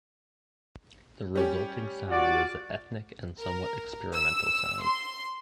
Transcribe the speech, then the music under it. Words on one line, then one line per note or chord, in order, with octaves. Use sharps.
The resulting sound was a ethnic and somewhat experimental sound.
G3 C#4 G4
F4 F#4 D5
A#4
E6
C6